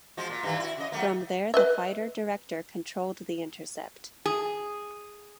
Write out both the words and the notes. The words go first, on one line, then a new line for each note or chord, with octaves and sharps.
From there the fighter director controlled the intercept.
F3 G#3 F#4
A#2
G2 D#3 E3
E4 F#4
C#3 D#5
F#3 A3 A#3
B4 D#5 E5
G#4